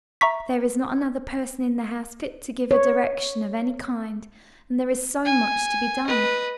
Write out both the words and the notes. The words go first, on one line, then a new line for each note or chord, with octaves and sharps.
There is not another person in the house fit to give a direction of any kind, and there is so much to be done.
E5 A#5 C#6 B6
C#5
G#5
B4 D#5